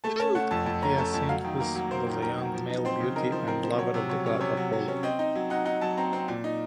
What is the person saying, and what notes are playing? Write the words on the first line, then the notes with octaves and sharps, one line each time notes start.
Hyacinthus was a young male beauty and lover of the god Apollo.
A3 A5
C#4 A5
A3 F#5
F2 A5
F2 A5
C#4 A#5
A3 A5
F2 A5
F#3 F5
D#3
A#3 A#4
F#3
A#3 C5
D#3
D#3 A#4
F#3
F3
D#4
C4 C5
C#3
D#4 A#4
F3 C5
C4 A#4
F3 C5
F#3 C#5
C3
F#3 C#5
C#4 C#5
C3 C#5
F#3
F#3
C#4
C4 D#5
D#4
F#3
D#4 F#5
D#4 F#5
F#3 A5
C4 A#5
C4
A#2
D#4